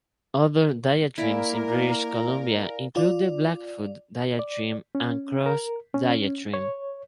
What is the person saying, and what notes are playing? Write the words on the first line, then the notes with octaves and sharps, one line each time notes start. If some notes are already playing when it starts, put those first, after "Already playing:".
Other diatremes in British Columbia include the Blackfoot diatreme and Cross diatreme.
A#3 E4 A#4 D5 F5 G#5
F4 D5
D5
C#4
A#4
C#4
C#5